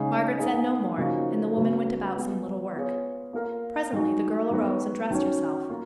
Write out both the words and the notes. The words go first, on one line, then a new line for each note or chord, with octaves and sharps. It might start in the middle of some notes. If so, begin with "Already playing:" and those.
Margaret said no more and the woman went about some little work. Presently the girl arose and dressed herself.
Already playing: C#3 G#3 D#4 G#4
A#3 D#4 G#4 B4 D#5
C#3 F3 A#3 D#4 F#4
C#3 F#3 B3
G#3 B3 F4
B3 F4 G#4 C#5
A#3 F4 A#4 F5
D#3 G#3 D#4 F#4
D#3 F#3 B3 F#4
D#3 F#3 C#4
A#3 F4